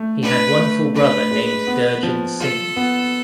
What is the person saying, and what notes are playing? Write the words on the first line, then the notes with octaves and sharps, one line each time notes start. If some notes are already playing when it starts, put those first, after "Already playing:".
He had one full brother named Durjan Singh.
Already playing: A3
D4 B4
A3
D4 B4
G#3
B3
F3
F4 A4
B3